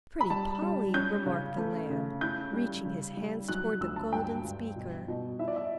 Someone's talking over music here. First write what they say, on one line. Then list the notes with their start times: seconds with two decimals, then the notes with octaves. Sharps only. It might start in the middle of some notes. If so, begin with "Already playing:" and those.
'Pretty Polly!' remarked the Lamb, reaching his hands towards the golden speaker.
0.21 B5
0.30 G3 A5
0.62 G3
0.94 C#4 G6
1.26 C#3
1.58 A3
1.90 C#3
2.21 E4 G6
2.53 G3
2.85 C#3
3.17 G3
3.49 F#3 F#6
3.81 D2 E6
3.96 A5
4.13 G2 G5
4.44 G2
4.76 B2
5.08 B2
5.39 E4 E5
5.48 D5
5.56 E5